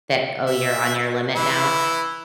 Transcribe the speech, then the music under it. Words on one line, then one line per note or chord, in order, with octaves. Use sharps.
that, "Oh, you're on your limit now."
E5
E3 E4